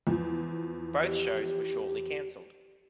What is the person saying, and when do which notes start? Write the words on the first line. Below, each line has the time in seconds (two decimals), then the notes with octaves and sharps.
Both shows were shortly canceled.
0.07 E2 F3
1.03 G4